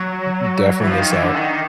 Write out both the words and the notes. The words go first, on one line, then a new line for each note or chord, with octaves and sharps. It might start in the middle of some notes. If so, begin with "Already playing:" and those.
Y you definitely miss out.
Already playing: F#3
E3
F3
D#3
E3
D3
D#3